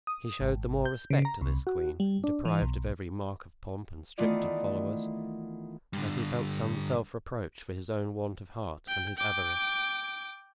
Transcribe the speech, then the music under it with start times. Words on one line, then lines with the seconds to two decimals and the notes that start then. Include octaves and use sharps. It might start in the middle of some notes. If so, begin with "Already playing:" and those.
He showed the more respect to this queen, deprived of every mark of pomp and stripped of followers, as he felt some self-reproach for his own want of heart and his avarice.
0.07 D#6
0.41 G#1
0.85 G6
1.10 C#3
1.25 A#5
1.41 C2
1.67 F#4
2.00 G3
2.24 D4
2.45 E3
2.62 B1
4.18 D#3 E3 A3 B3 F4 D5
5.93 G2 D3
8.88 G5
9.17 G5 D6